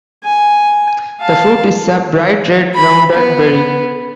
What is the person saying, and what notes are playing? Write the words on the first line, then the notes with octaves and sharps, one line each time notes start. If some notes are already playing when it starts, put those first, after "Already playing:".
The fruit is a bright red rounded berry.
G#5
F5 A5
B5
B3